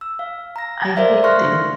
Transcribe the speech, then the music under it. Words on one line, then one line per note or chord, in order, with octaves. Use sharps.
I hate them.
E6
F5
A#5 A#6
A#4 C5 D5 E5 F5
C6 C#6 F6 F#6 A#6